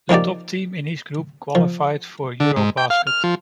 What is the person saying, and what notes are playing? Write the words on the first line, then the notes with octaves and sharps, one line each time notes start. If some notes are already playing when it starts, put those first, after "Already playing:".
The top team in each group qualified for EuroBasket.
F3 A#3 D#4 G4 D5
F3
D3
G#2
G5
F5
F6
F3